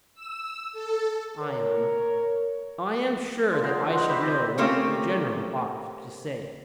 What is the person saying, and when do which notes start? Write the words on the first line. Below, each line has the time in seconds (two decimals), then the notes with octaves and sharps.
ION: I am sure that I should know what a general ought to say.
0.14 E6
0.73 A4
1.41 A#4 C#5
3.50 D3 F4
3.63 G#4 A#4 C5 F#5
3.80 F3 F#3
3.93 G#3 F#5 C#6
4.09 E4 G4 B4 C5
4.21 C4 G4 D5 D#5
4.58 A3 A#3 C4 C#4 F4 G4